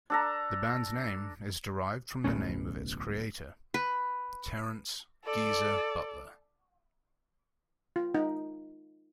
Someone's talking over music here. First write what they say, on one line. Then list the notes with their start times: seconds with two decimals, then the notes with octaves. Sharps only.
The band's name is derived from the name of its creator: Terence "Geezer" Butler.
0.10 D4 A4 A#5
2.24 D1 B1 A3 C#4
3.74 B4
5.25 A4 D5
7.96 F4
8.14 D#4